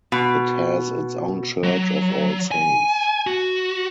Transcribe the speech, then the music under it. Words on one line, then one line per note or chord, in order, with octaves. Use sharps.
It has its own Church of All Saints.
B2
F#3
G#5
F#4